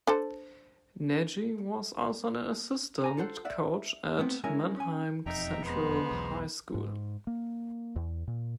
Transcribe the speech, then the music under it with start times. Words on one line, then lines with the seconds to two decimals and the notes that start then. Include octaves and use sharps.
Nagy was also an assistant coach at Manheim Central High School.
0.07 D4 A4 C5
3.04 G#5 A#5
3.17 F4 A4 C5 F#5
3.45 D5 E5 F#5
4.19 A3 B3 C4
4.44 G#3 C#4 E4 A#4 E5 G#5
4.76 C#4 G#5
5.26 E1 F2 D#4 E5 G5 A#5
5.65 G#3 B3 C5 A#5
6.11 B1 E2
6.75 G#2
7.27 A#3
7.96 E2
8.27 A#2